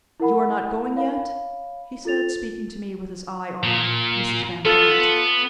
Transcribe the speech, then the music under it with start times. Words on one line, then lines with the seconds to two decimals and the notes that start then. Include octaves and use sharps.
"You are not going yet?" he said, speaking to me with his eye on Mrs. Van Brandt.
0.20 E4 A#4 F#5 B5
0.96 C#5 F5 B5
2.05 F4 A4 A6 F7
3.64 A#2
4.65 B3 F4 A4